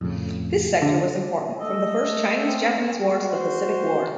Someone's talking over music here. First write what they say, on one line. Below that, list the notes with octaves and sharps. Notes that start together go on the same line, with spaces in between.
This sector was important from the First Chinese-Japanese war to the Pacific War.
F2 A2 C#3
D3
A3 A4 D#5
C4 C#4
G#3 F#4
C5